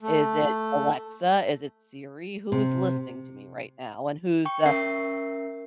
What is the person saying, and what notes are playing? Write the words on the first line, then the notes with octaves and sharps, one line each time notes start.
is it Alexa, is it Siri, who's listening to me right now, and who's, uh,
A3
C3
G5 C#6
C#4 A#4 E5 C7